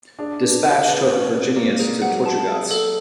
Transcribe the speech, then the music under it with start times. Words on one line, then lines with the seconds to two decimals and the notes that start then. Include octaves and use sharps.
"Despatch" took "Virginius" to Tortugas.
0.19 D4 G#4
0.41 B4
0.64 G#4
0.88 B4
1.10 C#4 B4
1.34 D5
1.56 A#3 D5
1.79 G#4
2.02 F#3 F#5
2.26 A5
2.48 D5
2.71 A4